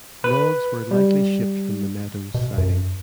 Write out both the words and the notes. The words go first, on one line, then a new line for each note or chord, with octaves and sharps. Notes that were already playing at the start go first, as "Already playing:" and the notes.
Logs were likely shipped from the Meadows siding.
B4
G3
B2
F#2